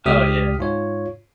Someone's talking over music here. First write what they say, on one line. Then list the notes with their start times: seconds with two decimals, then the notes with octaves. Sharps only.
Oh, yeah.
0.06 C#2 G4 D#6 F6 B6
0.59 G#2 F4 C#5